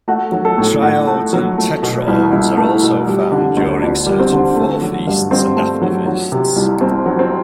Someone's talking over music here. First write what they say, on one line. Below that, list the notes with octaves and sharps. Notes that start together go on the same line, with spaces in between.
Triodes and tetraodes are also found during certain Forefeasts and Afterfeasts.
A3 F#4
F#3
A4
A2
A2 F#4
A3
F#3
A3
B2
C2
C2 E4
A3
B2
G3
D3
D2
D2 D4
G3
C4
D3
A3
F#3
G2
G2 C4
A3
F#3
F#3
C3
C2
C2 C4
F#3
C4